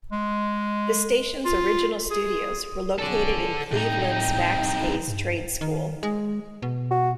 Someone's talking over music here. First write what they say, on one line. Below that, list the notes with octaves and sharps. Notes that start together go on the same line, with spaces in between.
The station's original studios were located in Cleveland's Max Hayes Trade School.
G#3
F4
G#4
B1 C#4 G#4 A4 D5
C2 A2 D#4 G5
G2
D#3
G#3
B2
F#4